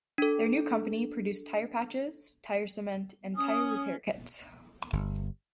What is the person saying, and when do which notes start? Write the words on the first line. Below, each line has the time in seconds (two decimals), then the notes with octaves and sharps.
Their new company produced tire patches, tire cement and tire repair kits.
0.18 D4 A4
3.36 C#4 D#6
4.93 G1